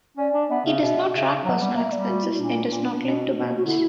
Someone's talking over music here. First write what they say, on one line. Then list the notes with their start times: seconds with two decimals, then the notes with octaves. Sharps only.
It does not track personal expenses and does not link to banks.
0.17 C#4 D5
0.34 D4
0.50 B3 E5
0.65 C#3 E5
0.81 B2
1.13 C#3
1.44 F#3 F#5
1.59 G3
1.76 A#3 E5
1.92 G3 D5
2.07 F#4
2.23 E4
2.39 A#2 D4
2.71 A#2
3.03 B2
3.34 B2
3.56 F#4
3.65 D3 E4